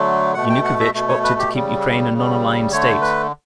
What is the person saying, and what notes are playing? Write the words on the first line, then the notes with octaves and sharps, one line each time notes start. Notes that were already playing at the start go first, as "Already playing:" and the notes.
Yanukovych opted to keep Ukraine a non-aligned state.
Already playing: D3 F#3 A3
B2 A3 F#5
G5
F#5
E5
B2 A3
C#5
B4
G4
C#3 G3
C#3 G3
D3 A3 C#5
B4